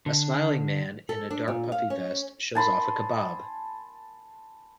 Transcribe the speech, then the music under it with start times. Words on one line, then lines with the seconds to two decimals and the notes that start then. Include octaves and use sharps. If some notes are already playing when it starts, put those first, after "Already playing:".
A smiling man in a dark puffy vest shows off a kebab.
0.06 D3
1.09 A4
1.31 D4
1.48 A#2
1.72 F5
1.90 C#4
2.55 G#5 A5 B5 C6